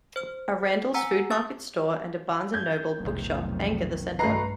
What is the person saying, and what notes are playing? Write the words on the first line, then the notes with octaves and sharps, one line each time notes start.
A Randall's Food Markets store and a Barnes and Noble bookshop anchor the center.
C5 F6
F#5 G#5 A#5 E6
D6 D#6 A6
G6 G#6
F1 B1 D#3
G2 A3 F#4 B4 D#5 A#5 C7